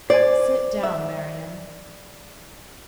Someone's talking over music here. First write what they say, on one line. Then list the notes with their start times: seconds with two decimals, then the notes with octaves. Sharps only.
Sit down, Marian.
0.10 C5 D5 G#5
0.83 E5